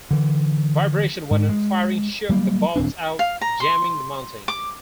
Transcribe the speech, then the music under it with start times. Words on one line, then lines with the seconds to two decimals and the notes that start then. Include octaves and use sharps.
Vibration when firing shook the balls out, jamming the mounting.
0.11 D3 E3
1.31 G#2
1.49 G#3
2.29 F#3 G3 A#3
2.76 D#1 C4 D4
3.19 F5
3.41 A#5
3.60 C6
4.48 D6